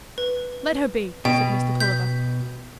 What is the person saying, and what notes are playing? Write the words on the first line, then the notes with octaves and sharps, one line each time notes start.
"Let her be," said Mr. Tulliver.
B4
B2 G5
G6 B6